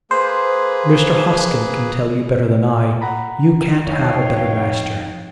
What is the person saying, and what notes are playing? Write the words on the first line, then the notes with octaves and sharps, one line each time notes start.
'Mr. Hoskin can tell you better than I. You can't have a better master.'
A#3 G#4 B4 C5
F#5 A#5 B5
F2 D#4 C#5 F5 G5